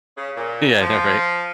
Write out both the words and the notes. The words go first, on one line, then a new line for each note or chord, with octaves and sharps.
Yeah, I know, right?
C#3
A#2
F3